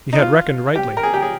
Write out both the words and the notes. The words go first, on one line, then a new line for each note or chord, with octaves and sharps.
He had reckoned rightly.
D#4
F4
G4
A#4
G#4
G4
G#4